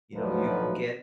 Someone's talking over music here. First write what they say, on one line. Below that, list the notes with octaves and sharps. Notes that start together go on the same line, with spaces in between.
you know, you can get
D2 A2 F3 F#3 D#4 B4